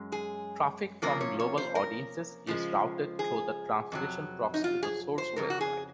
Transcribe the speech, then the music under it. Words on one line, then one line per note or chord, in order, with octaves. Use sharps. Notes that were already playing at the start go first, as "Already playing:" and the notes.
Traffic from global audiences is routed through the translation proxy to the source website.
Already playing: F#2 G#3
G#4
C3 F3 A#3 C#4 A#4
C#5
C#5
C5
A#4
C#3 F3 G#3
G#4
F2 C3 F#3
D#4
F4
G#4
C5
F2 C#3 A#4
F#4
G#4